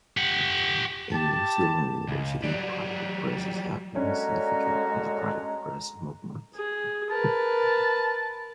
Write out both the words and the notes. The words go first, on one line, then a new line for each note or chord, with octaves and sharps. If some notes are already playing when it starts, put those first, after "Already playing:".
In New Zealand university private presses have been significant in the private press movement.
G4 F#5
G4 A5
C#2
F#3 G3
G#3 A#3 C#4 D4 F#4 A4 A#5
G#4
A#4 B4 A5